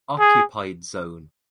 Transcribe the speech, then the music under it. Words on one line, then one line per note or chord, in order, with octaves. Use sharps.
Occupied Zone.
G#4